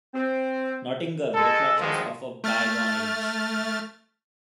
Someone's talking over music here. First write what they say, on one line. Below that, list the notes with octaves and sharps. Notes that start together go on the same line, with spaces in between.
Nottingham: Reflections of a Bygone Age.
C4
G#3 A4
D2 G2 D#3 F3 G#3
A3 F6 A6